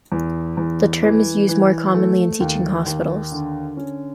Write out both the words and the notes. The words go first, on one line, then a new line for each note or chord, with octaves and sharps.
The term is used more commonly in teaching hospitals.
E2
E2
E3
E3
A3
D#2
D#2
D3
C#4